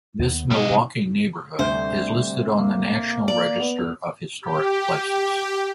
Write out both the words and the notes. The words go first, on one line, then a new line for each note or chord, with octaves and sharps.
This Milwaukee neighborhood is listed on the National Register of Historic Places.
D#2 B3
B2 G3 D#5
C3
D2 C3 G3 C5
A#3
D5
B3 F7
E2 B3
G4